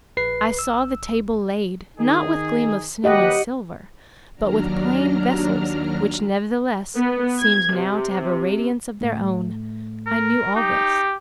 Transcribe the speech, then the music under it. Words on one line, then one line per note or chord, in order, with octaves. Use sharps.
I saw the table laid, not with gleam of snow and silver, but with plain vessels which, nevertheless, seemed now to have a radiance of their own. I knew all this.
A#1 B4 C7
A1 E6
D#3 D#4 G#4
D#2 F#3 G4 B4 D#5 F#5
D#2 F#3 D4 A#5 F6
B3
G#6
C3
A2 A3
A#4
D#4 G4